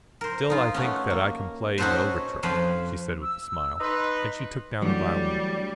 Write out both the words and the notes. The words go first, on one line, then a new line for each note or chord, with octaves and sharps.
"Still I think that I can play the overture," she said with a smile, and she took down her violin.
A#4 C5
D#4 F4
A3 B3 C#4
A#3
C#4 D#4 F#4 A4 B4 C5
F2 F3 C5 F5 G#5 B5
E6
D#4 B4 C6
E3 F#3 G3 A3 D4